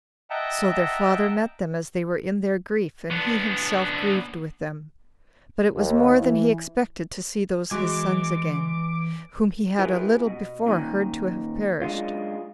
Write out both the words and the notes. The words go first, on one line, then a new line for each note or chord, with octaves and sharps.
So their father met them as they were in their grief, and he himself grieved with them; but it was more than he expected to see those his sons again, whom he had a little before heard to have perished.
D#5 E5 F#5 G5 A5 A#5
B3 D4
D#2
E3
E3 G#3 F#4 G#5 D6
E4 F4 G4 G#4 A#4 B4
B2
A#2 D#3
F#2 G#3 D4 F4